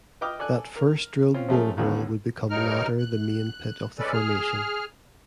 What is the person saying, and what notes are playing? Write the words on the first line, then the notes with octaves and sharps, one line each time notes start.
That first drilled borehole would become latter the main pit of the Formation.
B4 D#5 G5 D6 D#6 F6
A4 D5 G#5 F#6
A#4
C4 C#4 F4
F3 F#3 A3 C#4 G#4 A#4
A1 D#2 A2 D3 B3
G2 F#3 D#4 A#4 F6
F#6
G#3 C#4 A4 B4 D5
G#4 F6